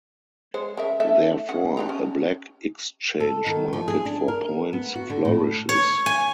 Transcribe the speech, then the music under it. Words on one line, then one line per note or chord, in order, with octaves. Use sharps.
Therefore, a black exchange market for points flourishes.
G#3 C5 C#5
C#3 A#4 E5
A3 C#4 E5
C#4 F#5
D4 G4 A#5
C#4
A4
D#3
F3
G#4
D4
A#4
B3
F#4
D3
A2
C#5
G#5